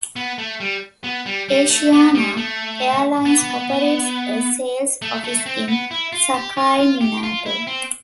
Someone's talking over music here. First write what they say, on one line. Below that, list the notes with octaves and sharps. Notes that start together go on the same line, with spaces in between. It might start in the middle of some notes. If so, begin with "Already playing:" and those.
Asiana Airlines operates a sales office in Sakaiminato.
B3
A3
G3
B3
G3
G3
A3
B3
G3
A3
B3
A3
A3
C4
B3
E4
F4
G4
F4
F4
G4
F4
E4
C4